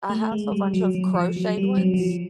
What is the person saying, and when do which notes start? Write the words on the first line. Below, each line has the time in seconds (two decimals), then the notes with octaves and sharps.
I have a bunch of crocheted ones,
0.10 A3
0.32 G#3
0.52 G3
0.74 F#3
0.95 F#3
1.15 F3
1.37 F#3
1.57 G3
1.77 F#3
1.94 F#3
1.99 F3